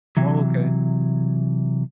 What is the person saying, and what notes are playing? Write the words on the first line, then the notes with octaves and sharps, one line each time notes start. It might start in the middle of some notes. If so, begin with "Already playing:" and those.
Oh, okay.
C3 E3 F#3